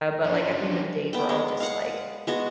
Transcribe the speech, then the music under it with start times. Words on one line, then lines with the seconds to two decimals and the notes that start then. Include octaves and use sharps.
but, like, at the end of the day, we're all just, like,
0.24 F3 C#4 D4
1.13 B3 G5
1.29 G#3 B3
1.60 F5 F#5
2.27 G#3 B3 F#4